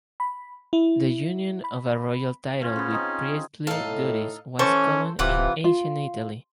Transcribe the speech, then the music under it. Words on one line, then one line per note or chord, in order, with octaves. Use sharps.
The union of a royal title with priestly duties was common in ancient Italy.
B5
E4
B5
C#4 F4 C5
C#3 B3
C4 D#4 G#4
A2 D#4 A4 F5
E3 C#4 A4 C5 C#6
D1 C3 E3 F4 B4 F#5
F4